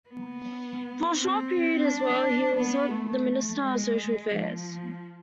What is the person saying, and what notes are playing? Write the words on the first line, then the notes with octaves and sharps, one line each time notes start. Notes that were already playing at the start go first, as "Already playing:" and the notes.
For a short period as well he was the Minister of Social Affairs.
B3
C4
D4
B3
A3
G#3
F3